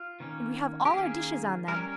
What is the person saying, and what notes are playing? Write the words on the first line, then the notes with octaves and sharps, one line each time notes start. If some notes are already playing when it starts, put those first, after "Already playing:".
And we have all our dishes on them.
Already playing: F4
D#3 A#3 C#4
G4
D#3 A#3 C#4 G#4
G3 C#4 A#4